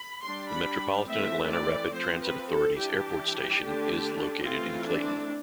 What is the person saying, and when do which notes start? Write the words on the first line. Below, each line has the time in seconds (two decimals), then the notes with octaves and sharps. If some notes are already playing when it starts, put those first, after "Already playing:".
The Metropolitan Atlanta Rapid Transit Authority's Airport station is located in Clayton.
Already playing: B5
0.22 G3 D4 C6
0.51 B5
1.06 E3 A3 C4 E5
1.49 D5
1.91 F3 C4 C5
2.19 B4
2.47 A4
2.75 E3 G3 D4 G4
3.59 D3 A3 D4
4.43 E3 A3 C4 F4
4.85 D4